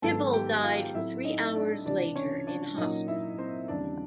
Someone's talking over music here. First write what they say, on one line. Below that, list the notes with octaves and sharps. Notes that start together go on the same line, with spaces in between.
Tibble died three hours later in hospital.
G#2 D#3 F#3 B3 A4 A5
G4 G5
F4 F5
A2 F#3 A3 C4 E4 E5
D#4 D#5
D4 D5
C#2 C3 E3 D4 D5
C#4 C#5
D4 D5
A#2 F#3 A#3 C#4 D#4 D#5
E4 E5
C4 C5
D#2 C#3 E3 G3 C4 D4 D5